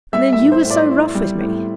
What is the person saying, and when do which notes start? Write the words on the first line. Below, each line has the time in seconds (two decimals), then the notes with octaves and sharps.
And then you was so rough with me!
0.13 G3 E5
0.33 E5
0.38 A2
0.52 C5
0.65 A2
0.71 D5
0.89 E4
1.15 G3
1.41 A2